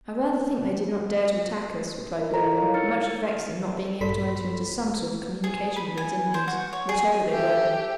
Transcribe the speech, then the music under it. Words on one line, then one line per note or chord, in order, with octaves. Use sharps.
"I rather think they did not dare to attack us," replied Glenarvan, much vexed at not being able to enter into some sort of communication with those Indians, whatever they were.
E4 A#4 D#5
E4 F4 A4 A#4 A#5 B6
C#5 F5
D#4 E6 F6 A6 C#7
A#1 G2 A4 B5 C6 B6
G#4
B5
G#5
C5
F#4
C#5
G#4
G4 A4 E5